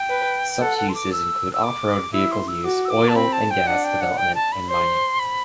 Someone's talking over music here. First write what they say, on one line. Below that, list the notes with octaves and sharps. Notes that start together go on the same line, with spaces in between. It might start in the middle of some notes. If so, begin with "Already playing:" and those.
Such uses include off-road vehicle use, oil and gas development, and mining.
Already playing: G5
B4
A4 F#5
F#5
C6
D6
E6
E6
D6
E4 E6
C6
E6
F#4 D6
E6
D6
A5
C4 B5
A5
G5
D4 F#5
G5
F#5
G5
A5
B5
C5 C6
B5